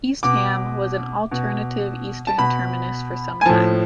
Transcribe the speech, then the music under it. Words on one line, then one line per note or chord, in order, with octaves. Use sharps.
East Ham was an alternative eastern terminus for some time.
B2 D6
B2
A5
B2 B5
G#5
A2 F3 A5